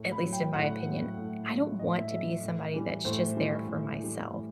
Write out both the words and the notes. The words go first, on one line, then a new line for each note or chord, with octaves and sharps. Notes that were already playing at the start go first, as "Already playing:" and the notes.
at least in my opinion, I don't want to be somebody that's just there for myself.
Already playing: A2
B5
F#3
G5
A2 F#5
F#3
A2
F#3
A2 D#5
E5
F#3 E5
A2
E3 G3
A2 C5
E3 G3
A2
E3 G3
A2